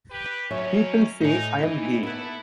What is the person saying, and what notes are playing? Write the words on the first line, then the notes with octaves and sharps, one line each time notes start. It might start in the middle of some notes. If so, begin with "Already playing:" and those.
People say I'm gay...
G4 B4
B2 D#3 F#3 C#4 C#5 E5
A2 D#4 G#5
E3 D#4 E4
A3 B3 E4 B4